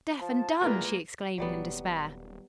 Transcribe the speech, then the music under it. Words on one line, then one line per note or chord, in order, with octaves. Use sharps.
"Deaf and dumb!" she exclaimed in despair.
F3 A5
E2 G#3 A#3 F4 A#4 B4
D#1 F#3 G3 B3